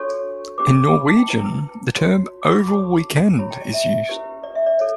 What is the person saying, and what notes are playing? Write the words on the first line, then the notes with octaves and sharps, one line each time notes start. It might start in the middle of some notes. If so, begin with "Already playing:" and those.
In Norwegian, the term "oval weekend" is used.
Already playing: D4 F#4 A4 C#5 C#6
C#4 G4 B4 D6
B5
A5
G5
E4 B4
F#4 C#5
D6
C#6
B5
F#4 A4 C#5 A5
E4 G4 C#5 B5
G5
D5
E5
C#4 E4 G4 B4
D5
E5
D5
A4 C#5